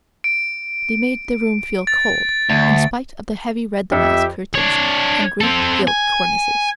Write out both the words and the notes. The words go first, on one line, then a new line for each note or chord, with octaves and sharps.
They made the room feel cold, in spite of the heavy red damask curtains and great gilt cornices.
D7
A6
D2
F2 G4 E5
D4 C#5
C4 A4
G#5